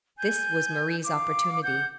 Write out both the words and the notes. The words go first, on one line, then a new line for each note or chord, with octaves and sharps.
This was Marie's opportunity.
G#5 G6
F5 D6
F#5 G6